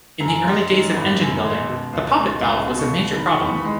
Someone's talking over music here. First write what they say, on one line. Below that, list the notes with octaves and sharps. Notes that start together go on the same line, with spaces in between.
In the early days of engine building, the poppet valve was a major problem.
F#2 A#5
G#5
A#5
G#3
D#3
G#1 B5
F#2
G#3
B2
C#2
G#3
C#2 B5
B2
C#6
C#2
D#3 B5
C#6
E2 B5
C#6
B5
G#3